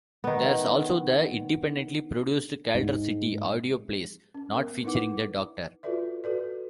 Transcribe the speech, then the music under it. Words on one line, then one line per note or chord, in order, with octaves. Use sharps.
There's also the independently produced "Kaldor City" audio plays, not featuring the Doctor.
D#3 B3
G#2
C#4
B3 A#4
D#4 E4 B4 F#5 D6
F4 F#4 A4 B4 D5 E5
F#4 A4 B4 D5